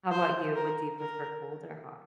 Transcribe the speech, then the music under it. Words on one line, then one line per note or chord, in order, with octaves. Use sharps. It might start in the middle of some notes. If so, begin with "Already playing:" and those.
How about you? Would you prefer cold or hot?
C5
A#4
A#4